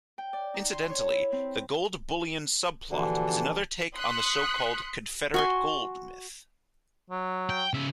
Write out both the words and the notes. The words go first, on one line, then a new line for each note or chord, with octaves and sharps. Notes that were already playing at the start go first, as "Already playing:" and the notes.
Incidentally, the gold bullion subplot is another take on the so-called "Confederate gold" myth.
G5
D5
D#4
C6
C#5
E4
C4
A#1 D3 E3 F#4 G4 A5
C6 D#6 F#6 B6 C#7
F#4 G#5 C6
F#3
G5
C#3 E5